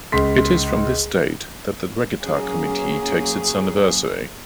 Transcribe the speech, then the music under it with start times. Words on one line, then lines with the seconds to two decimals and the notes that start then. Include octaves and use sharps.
It is from this date that the Regatta Committee takes its anniversary.
0.12 C#2 C6 B6
2.21 F#3 A#3 C#4 G#4